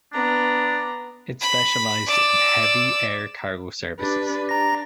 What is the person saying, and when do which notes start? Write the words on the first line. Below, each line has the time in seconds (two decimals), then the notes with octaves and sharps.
It specialised in heavy air cargo services.
0.13 B3 D4 A#5
1.41 B5
2.07 D5 E6
3.99 D4 G4 B4 D5 D6
4.49 D4 A#5 A#6